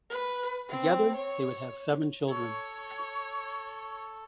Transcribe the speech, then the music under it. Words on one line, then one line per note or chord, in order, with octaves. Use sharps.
Together they would have seven children.
B4
C4
C#5
A4 C#5 C#6